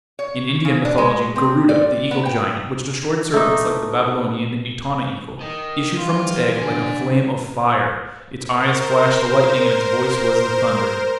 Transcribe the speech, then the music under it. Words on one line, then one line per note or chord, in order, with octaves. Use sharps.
In Indian mythology Garuda, the eagle giant, which destroyed serpents like the Babylonian Etana eagle, issued from its egg like a flame of fire; its eyes flashed the lightning and its voice was the thunder.
C#5
C#3
D4
G#3
C4
D5
B3
G5
A3 D4 D#4
D#3
E3 F3 G3 F4
B2 D3 D5 G#5
A#4 C5